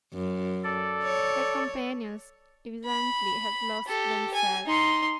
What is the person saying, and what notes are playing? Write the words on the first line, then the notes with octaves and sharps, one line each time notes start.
Her companions, evidently, had lost themselves.
F#2
A4 D5
C#5
B5
G4 A4
G#5
D#4 C6